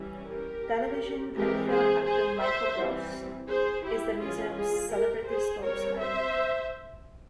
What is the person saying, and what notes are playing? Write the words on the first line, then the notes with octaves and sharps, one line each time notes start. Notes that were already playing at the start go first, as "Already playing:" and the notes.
Television and film actor Michael Gross is the museum's "celebrity spokesman".
Already playing: E3 G3 C#4
G4 A#4
E3 G#3 C4 G4 A#4
G#4 C5
G#4 C5
C5 E5
E3 G3 C4
G#4 C5
E4 G4
E3 G#3 C#4 F4 G#4
F4 G#4
G4 A#4
G#4 C5
G3 C4 A#4 C#5
C5 E5